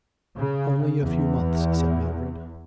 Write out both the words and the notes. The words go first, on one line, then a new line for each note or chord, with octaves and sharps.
'Only a few months,' said Mildred.
C#3
E2